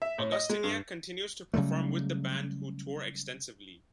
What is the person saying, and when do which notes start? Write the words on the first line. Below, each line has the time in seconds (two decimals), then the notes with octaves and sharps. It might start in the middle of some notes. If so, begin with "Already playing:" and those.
Augustyniak continues to perform with the band who tour extensively.
0.02 E5
0.18 A2
0.32 D#5
0.49 G#3
0.64 G2
1.54 C#3 F#3 G3 A3